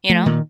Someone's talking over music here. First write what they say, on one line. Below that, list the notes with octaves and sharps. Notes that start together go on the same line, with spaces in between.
you know?
F3 A3
A#2 D#3